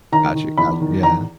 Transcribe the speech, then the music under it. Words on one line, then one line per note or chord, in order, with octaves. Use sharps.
Gotcha, gotcha. Yeah.
D#3 A#5
D#3
E2 B5
D#3
E2 A#5